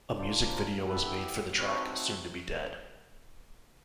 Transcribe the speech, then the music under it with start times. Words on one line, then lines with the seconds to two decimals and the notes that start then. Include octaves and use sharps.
A music video was made for the track "Soon to Be Dead".
0.16 A#3 D4 F4 C5 D5
0.51 A#4 C5
0.86 B3 E4 G4 A4 B4
1.58 A3 C4 D#4 F#4 B4 C#5